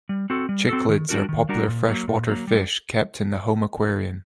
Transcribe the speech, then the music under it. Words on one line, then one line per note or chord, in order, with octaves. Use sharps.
Cichlids are popular freshwater fish kept in the home aquarium.
G3
C4 F#4 A4
G3
C4 F#4 A4
D#3
G3 D4 F#4 A#4
D#3
G3 D4 F#4 A#4
A#2
F#3 A#3
A#2
F#3 A#3
G3